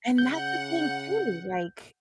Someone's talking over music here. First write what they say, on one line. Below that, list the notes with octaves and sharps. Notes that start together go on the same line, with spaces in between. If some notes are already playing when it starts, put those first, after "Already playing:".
And that's the thing, too, like,
C#3 F#5 G6